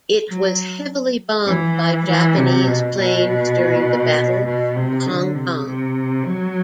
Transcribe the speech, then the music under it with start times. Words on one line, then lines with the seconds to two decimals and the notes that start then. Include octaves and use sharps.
It was heavily bombed by Japanese planes during the Battle of Hong Kong.
0.29 F#3
1.47 E3
2.06 E3
2.37 C3
2.67 B2
2.96 B2
4.46 B2
4.76 C3
5.06 D3
5.35 C3
5.66 C3
6.25 F#3